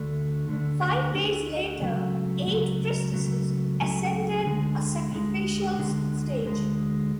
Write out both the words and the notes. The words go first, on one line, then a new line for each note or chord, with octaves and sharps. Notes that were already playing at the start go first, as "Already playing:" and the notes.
Five days later, eight priestesses ascended a sacrificial stage.
Already playing: D2 D3 A3 D4
D2 D3 A3 D4
D2 D3 A3 D4
C#2 C#3 F#3 A3
C#2 C#3 F#3 A3
C#2 C#3 F#3 A3
C#2 C#3 F#3 A3
D2 D3 G#3
D2 D3 G#3
D2 D3 G#3
D2 D3 G#3